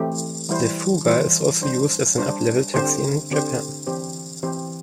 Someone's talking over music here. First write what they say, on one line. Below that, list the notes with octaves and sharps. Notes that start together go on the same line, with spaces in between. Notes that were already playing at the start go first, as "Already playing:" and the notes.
The Fuga is also used as an uplevel taxi in Japan.
Already playing: E3 A3 C4 G4
E3 G3 E4 C5
E3 G3 E4 C5
G3 D4 C5
G3 D4 C5
D3 C4 G4 C5
D3 C4 G4 C5
E3 C4 G4 C5
E3 C4 G4 C5